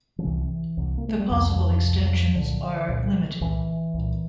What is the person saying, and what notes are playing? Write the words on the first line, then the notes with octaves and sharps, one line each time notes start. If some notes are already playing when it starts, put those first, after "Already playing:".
The possible extensions are limited.
F3
C2 C3 E3
C2 C3
A#3
A3
G3
C2 F2 C3 F3
G3
F2 F3
C2 C3
C2 A#2 D3
C2 A#2
C2 A#2 E3
C2 A#2